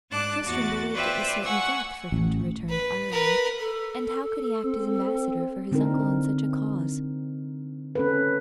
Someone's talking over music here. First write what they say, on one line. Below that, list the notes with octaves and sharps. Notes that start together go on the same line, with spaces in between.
Tristram believed it was certain death for him to return to Ireland; and how could he act as ambassador for his uncle in such a cause?
G#2 D4 A5 D6 F#6
E2 F#4 A6
F4 B4 C5 D5 E5 G5
F#5 G#5 C#6 E6
A1
B4
A#4 B4
A4
C4
D3 C4 D4 D#4 A#4
C#4 A4 B4